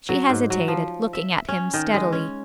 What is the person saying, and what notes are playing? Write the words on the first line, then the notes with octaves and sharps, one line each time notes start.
She hesitated, looking at him steadily.
F#3
G#2
F#3
F3
E5
C#4
D#3
G#3
C#4